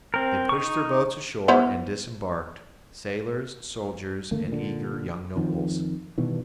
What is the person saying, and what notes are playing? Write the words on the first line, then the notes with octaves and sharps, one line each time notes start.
They pushed their boats ashore and disembarked,--sailors, soldiers, and eager young nobles.
C4 A#4
D#4 C#6
B3 E4 C5
G#1 D3 A3 A#3
A#2 D3
F2 D#3 F3
G2 B2 D#3 E3